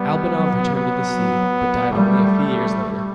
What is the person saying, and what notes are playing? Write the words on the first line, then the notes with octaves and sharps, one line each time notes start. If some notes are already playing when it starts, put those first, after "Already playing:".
Albanov returned to the sea, but died only a few years later.
Already playing: G3 B3
F#3
B3
G3 A3
G3